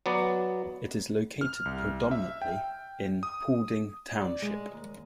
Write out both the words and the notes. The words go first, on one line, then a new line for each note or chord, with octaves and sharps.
It is located predominantly in Paulding Township.
F#3 B3 D5
F6
C2
E5
G5
D#6
D5
G#3
D#2